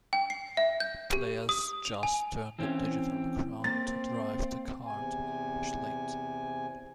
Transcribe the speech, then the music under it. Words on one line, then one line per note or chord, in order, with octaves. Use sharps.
Players just turn the Digital Crown to drive the car to switch lanes.
G5
C7
E5
G6
G4
D#6
F7
G#5
E3 C4 C#4 E4
A#3 C4 A6
E2 C3 G#5